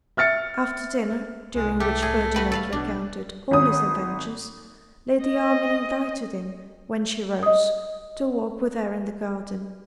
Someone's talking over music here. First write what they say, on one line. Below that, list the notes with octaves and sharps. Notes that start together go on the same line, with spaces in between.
After dinner, during which Ferdinand recounted all his adventures, Lady Armine invited him, when she rose, to walk with her in the garden.
E5 F6 A6 C#7
C2 G#3
A3 G4
A2 G#4
F#4 B4 G5
A4 B4 F5
B1 B2 D4
G#1 D#6
D#5
D#5 D#6